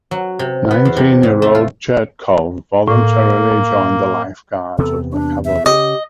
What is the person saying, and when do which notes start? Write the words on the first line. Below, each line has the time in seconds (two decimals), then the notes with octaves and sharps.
Nineteen-year-old Chertkov voluntarily joined the Life Guards of the Cavalry.
0.11 F#3
0.39 C3
0.71 B3
0.85 E2
0.97 C3
1.23 G#2
1.42 A3
1.55 F4
2.88 A2 A#3
4.78 E2 C3 B3 A4
5.12 D4
5.45 E5
5.66 C#3 G4 D#5